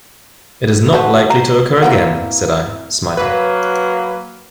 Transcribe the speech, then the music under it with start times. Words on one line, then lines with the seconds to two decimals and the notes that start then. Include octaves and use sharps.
"It is not likely to occur again," said I, smiling.
0.93 F#4 G#4 A4 B4 C5
1.30 C5 A#5
1.82 A#3 C4 E4 B4 F#5
3.17 F#3 A#3 B4